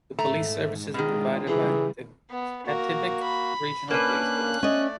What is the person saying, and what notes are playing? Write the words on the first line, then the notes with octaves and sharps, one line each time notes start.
The police services are provided by the Kativik Regional Police Force.
G#2 A3 A#5
B2 D#3 G#3 D4 F4 G#4
C#3 E3 G3 G#4
B3
A#3 F#4 A#4
B5
A#3 C#4 D4 B4 F#6
A3 C#4 D5 D#5